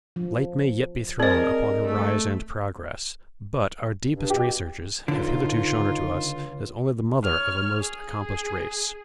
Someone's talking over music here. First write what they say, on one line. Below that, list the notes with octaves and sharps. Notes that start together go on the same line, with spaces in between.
Light may yet be thrown upon her rise and progress, but our deepest researches have hitherto shown her to us as only the mother of a most accomplished race.
F3
C4 G#4 A#4 C5 D5 D#5
A3
G2
B2 G4
C#2 D3 D4 D#4 F4
C#5 F6
G#4